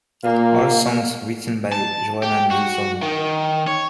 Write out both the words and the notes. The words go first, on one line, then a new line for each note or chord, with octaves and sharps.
All songs written by Joanna Newsom.
A#2 A#3 F5
A5
G4
F#4
D#3
C#5